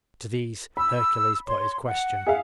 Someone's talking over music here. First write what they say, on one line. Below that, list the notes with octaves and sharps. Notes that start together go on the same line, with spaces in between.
To these Hercules put his question.
B5 E6
C#5 C6
F#5
G#4 E5 F5